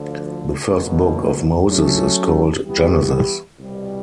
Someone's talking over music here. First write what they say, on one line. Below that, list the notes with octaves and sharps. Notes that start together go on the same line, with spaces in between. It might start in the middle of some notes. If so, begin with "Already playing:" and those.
The First Book of Moses is called Genesis.
Already playing: D2 D3 F3
C#2 B2 F#3 A#3
F#3 A3 C#4
E3 G3 B3 E4 G4
C2 B2 G3